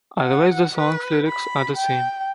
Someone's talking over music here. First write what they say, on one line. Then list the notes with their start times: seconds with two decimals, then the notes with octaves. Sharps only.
Otherwise, the song's lyrics are the same.
0.19 F#5
0.75 B4
1.28 B5
1.76 G5